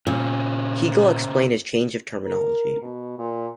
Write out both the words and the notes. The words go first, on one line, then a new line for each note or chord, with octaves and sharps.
Hegel explained his change of terminology.
A#2 C#3 C4 C#4
A#4
B2
A#2